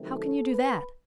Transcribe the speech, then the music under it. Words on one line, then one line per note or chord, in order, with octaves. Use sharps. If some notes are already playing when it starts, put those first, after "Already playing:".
"How can you do that?"
Already playing: C3 D#3 F#3 A3 C4
A4
B4